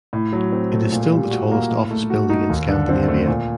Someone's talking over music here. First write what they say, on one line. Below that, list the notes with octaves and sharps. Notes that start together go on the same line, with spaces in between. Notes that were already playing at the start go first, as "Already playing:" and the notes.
It is still the tallest office building in Scandinavia.
A2
F#3
C4
A3
A#2
G3
F#4
A#3
A2
A3
F#4
D#4
D#2
D3
C4
A3
A#2